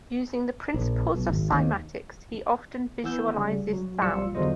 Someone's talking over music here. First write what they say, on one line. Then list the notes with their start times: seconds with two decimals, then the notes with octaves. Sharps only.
Using the principles of Cymatics he often visualizes sound.
0.74 A#1
1.14 B1
1.30 G#1
1.52 D#2
3.04 E3 B3 E6 G6
3.37 C#3 G3
3.73 F#3
4.02 B1 F3 G3 F4 E6 C#7
4.35 E2 D3 F#3 F4 C5 D#5